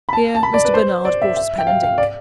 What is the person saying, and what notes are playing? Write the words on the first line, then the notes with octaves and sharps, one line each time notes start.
Here Mr. Bernard brought us pen and ink.
B5
A5
A5
B5
D5
B4
C5
D5
E5
E5
G5
F5
F5
D5